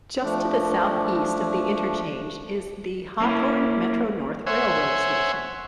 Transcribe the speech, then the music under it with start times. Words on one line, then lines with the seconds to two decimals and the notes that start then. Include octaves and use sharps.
Just to the southeast of the interchange is the Hawthorne Metro-North Railroad station.
0.23 F3 A3 D4
3.20 A#3 C#4 E4
4.47 C5 C#5 E5 F#5 G#5